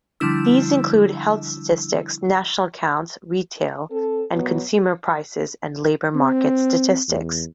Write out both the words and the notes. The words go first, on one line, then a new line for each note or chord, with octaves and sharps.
These include health statistics, National Accounts, Retail and Consumer Prices and Labour Market Statistics.
D3 F3 G3 D4 E4 E6
C4 A4
B2 F#3 B3
C4
E2